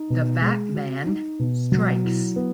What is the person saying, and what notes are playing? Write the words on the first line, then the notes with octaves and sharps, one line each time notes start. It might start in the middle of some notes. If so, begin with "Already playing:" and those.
The Batman Strikes!
Already playing: D#4
B2
G#3
F#4
D#4
B2
F#3
E4
B3